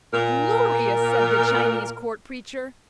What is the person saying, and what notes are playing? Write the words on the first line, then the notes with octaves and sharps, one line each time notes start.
"Glorious!" said the Chinese Court Preacher.
A#2 A#4